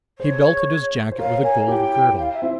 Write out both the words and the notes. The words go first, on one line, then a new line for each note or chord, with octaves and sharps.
He belted his jacket with a gold girdle.
G#4 C5 C#5
C5
A#4 C#5 F5
A#4 C#5 G#5
E4 G4 G5
F5
E5
C4 E4